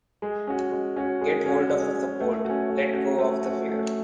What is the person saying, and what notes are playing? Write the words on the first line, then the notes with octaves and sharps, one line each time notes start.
Get hold of a support - let go of the fear.
G#3
C#4 F#4
G#3
C#4 F#4
G#3
C#4 F#4
G#3
C#4 F#4
A3
C#4 F#4
A3
C#4 F#4
A3
C#4 F#4
A3